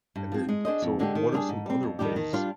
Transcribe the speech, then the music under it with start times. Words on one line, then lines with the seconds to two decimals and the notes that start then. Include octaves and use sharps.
And, then, so what are some other ways,
0.16 G2
0.32 F3 C4
0.49 G#3
0.65 D4 G#4 C5 D#5
0.82 F2
0.99 D3 G#3 D4 G4
1.15 D#3
1.32 G3 D4 F4 G#4
1.49 G#2
1.66 G3 C4
1.83 F2
1.99 D#3 G3 D4 G4
2.16 D#3
2.33 G3 D4 F4